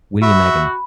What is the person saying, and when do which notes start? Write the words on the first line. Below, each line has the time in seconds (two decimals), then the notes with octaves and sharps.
William Egan.
0.22 F#4 E5 B5